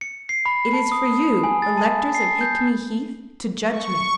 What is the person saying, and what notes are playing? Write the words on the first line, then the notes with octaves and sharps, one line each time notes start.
"It is for you, electors of Hickney Heath, to judge me."
C#7
C7
B5
A5
D#6
G#5
A6
A5
C7
G6
C#6